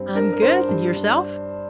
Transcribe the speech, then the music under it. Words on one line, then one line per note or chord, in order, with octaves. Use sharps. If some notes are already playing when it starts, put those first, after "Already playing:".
I'm good, and yourself?
Already playing: G2 C4
D4 A#4
A#4
D4 C5
G2
D4